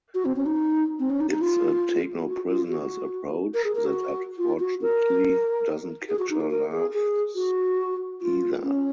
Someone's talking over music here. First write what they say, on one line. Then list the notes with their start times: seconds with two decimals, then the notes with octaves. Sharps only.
It's a take-no-prisoners approach that, unfortunately, doesn't capture laughs either.
0.14 F#4
0.25 C4
0.36 C#4
0.46 D#4
1.00 C4
1.10 C#4
1.20 D#4
1.31 D#4
1.41 F4
2.27 F#4
2.48 F4
2.69 F#4
3.54 A#4
3.64 G#4
3.75 A#4
3.86 F#4
4.38 F4
4.60 F#4
4.82 A#4
6.09 G#4
6.19 F#4
6.30 D#4
6.41 A#4
6.51 A#4
6.72 G#4
6.94 G#4
7.35 F#4
8.22 F4
8.63 C#4